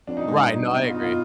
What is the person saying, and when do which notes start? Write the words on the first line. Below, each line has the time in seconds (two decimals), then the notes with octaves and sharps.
Right, no I agree.
0.07 F2 D4
0.17 D#4
0.25 G#2 D4
0.47 G2 D#4
0.68 B2
0.88 F4
0.95 D#4
1.02 F4